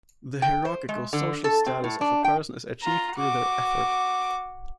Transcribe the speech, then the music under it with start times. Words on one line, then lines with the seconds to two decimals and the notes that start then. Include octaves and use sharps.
The hierarchical social status of a person is achieved through their effort.
0.42 G5
0.65 C5
0.89 G#3
1.13 D3
1.44 A4
1.66 C4
1.84 A2
2.01 D4
2.24 G5
2.82 F4 A#5
3.15 F#4 D6